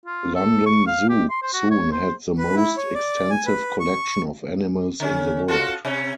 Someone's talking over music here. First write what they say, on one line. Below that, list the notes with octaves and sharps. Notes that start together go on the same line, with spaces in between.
London Zoo soon had the most extensive collection of animals in the world.
F4
A4
C#6
F5
G4
C6
C5
F#4
C#5
C5
B4
E4
C#5
D5
G#5
B4
C#6
D3 C#4
F4 F#4 A4
C3 C#4